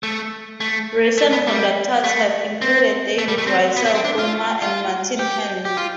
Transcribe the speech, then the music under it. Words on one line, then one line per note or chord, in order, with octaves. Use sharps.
Recent conductors have included David Russell Hulme and Martin Handley.
A3
A3
A3
B3
G3
A3
C4
A3
G3
A3
C4
B3
A3
C4
D4
F4
F4
G4
G4
F4